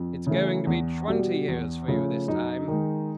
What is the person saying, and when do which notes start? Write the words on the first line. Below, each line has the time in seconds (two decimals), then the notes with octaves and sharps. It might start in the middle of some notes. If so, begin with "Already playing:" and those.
It's going to be twenty years for you this time.
Already playing: F2
0.27 C#3 E3 A3
0.67 E2
1.08 B2 G3
1.48 E2
1.88 C#3 F3 A3
2.28 F#2 D#4
2.68 D#3 G#3